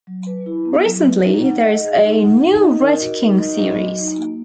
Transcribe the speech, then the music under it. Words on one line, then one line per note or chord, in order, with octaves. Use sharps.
Recently there is a new "Red King" series.
F#3
B4
E4
B3
F#3
B4
D#4
F#5
D#5
G#4
D#4
F#5
D#4
D#5
A#4
F#4
D#4
D#5
F#3
F#4
D#4
A#3